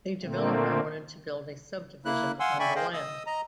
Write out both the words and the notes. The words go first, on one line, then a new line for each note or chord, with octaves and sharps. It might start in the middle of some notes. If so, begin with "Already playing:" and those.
The developer wanted to build a subdivision on the land.
A#2 D3 A3 A#3 C4
A#3 E4 F#6
F5 F#5 G#5 C6 E6
D5 E5 G5 G#5 B5 C#6
G#4 C5 D#5 F5 G5
D#5 D#6 E6
D#5 A#5